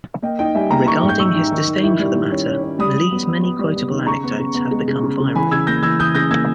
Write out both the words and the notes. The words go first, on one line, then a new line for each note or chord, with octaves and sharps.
Regarding his disdain for the matter, Li's many quotable anecdotes have become viral.
A#3 D#5 G5
D#4 D#5 G5
G3 E5 G#5
A#3 G5 A#5
D#4 A#5 C#6
G#2
G6
G#2 C#6 E6
D#4
D#3
D#3
E4
G3
D#3
C#4
C#4
C#4
G3 B5 D#6
G3
B3
B3
B3
G3
B3
D#3
C#3 A#5 C#6
B3
C#3
B3
G#3
C#3
C#3
C#3
E3 G#5 B5
C#3 E6 G#6
A#3 G6 A#6
E3 E6 G#6
E3 D#6 G6
C#3 G6 A#6
A#3 E6 G#6